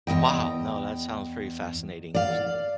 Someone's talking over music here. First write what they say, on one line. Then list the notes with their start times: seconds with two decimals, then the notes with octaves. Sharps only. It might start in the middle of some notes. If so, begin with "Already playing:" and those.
Wow. No, that sounds pretty fascinating.
0.07 E2 E3 D#5 G5
2.14 D5 F5